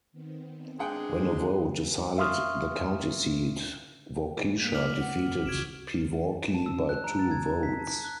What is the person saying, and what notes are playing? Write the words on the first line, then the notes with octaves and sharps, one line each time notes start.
When a vote decided the county seat, Waukesha defeated Pewaukee by two votes.
D#3 B3 C4
G#3 D4 G#4 F#5 G5
E5 F5 C6 C#6 D#6 F6
A#3 B6 F7
D6 F6 F#7
F#5
C#2 C#3 F#4 G#6 D7 E7
E7
A5
E6
F#6
A#5
A6
G#6
G#6
B6
A5
A5
F#6